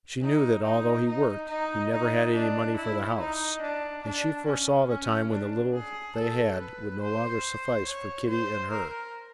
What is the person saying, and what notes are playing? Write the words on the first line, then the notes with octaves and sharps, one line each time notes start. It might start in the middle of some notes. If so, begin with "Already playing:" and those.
She knew that although he worked he never had any money for the house, and she foresaw the time when the little they had would no longer suffice for Kitty and her.
D#4
D#4
D#4
D#4
D#4
D4
E4
D#4
D4
D4
C#4
C#4
D4
G#4
A4
B4
C5
C#5
C5
A#4